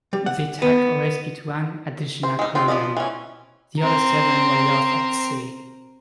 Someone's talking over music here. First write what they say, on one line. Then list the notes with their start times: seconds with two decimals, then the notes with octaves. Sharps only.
The tug rescued one additional crewman; the other seven were lost at sea.
0.13 G3
0.26 F#5
0.62 B3
2.23 C5
2.39 G#3 D#4
2.55 F3 C4 F4
2.68 F3 B3 D5 D#5
2.97 E3 C#4
3.79 C4 A#4